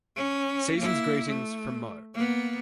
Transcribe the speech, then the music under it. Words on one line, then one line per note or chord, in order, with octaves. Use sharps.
Season's Greetings from moe.
C#4
A#3 E4
A3
A#3 B3